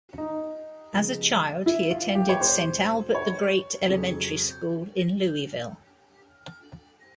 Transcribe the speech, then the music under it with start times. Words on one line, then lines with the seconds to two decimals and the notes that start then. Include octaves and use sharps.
As a child he attended Saint Albert the Great Elementary School in Louisville.
0.18 D#4
0.92 C#3 F3 G#3 B3
1.66 E4
1.91 F4
2.15 G4
2.29 C#5
2.40 E2 B2 G3 C5
3.15 C#5
3.88 F2 C#3 F#3